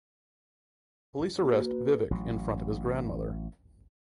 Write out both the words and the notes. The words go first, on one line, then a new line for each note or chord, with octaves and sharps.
The police arrest Vivek in front of his grandmother.
A#3 F#4 G4
B4
A1 F#3